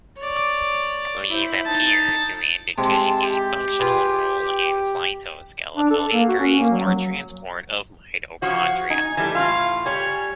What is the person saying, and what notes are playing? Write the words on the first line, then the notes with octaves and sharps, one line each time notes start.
These appear to indicate a functional role in cytoskeletal anchoring or transport of mitochondria.
C#5 D5
E4 C5
D#4 A5
C3 G#3 A5
G4
F4 G#4 B4
D4
A4
A#3
F#4
C#4
A#3
F#3
F#3
F3 F#4 C#5
D#4 G#5
E3 G3 A3 G#5
A2 F4 F5
G3 C#5 G#5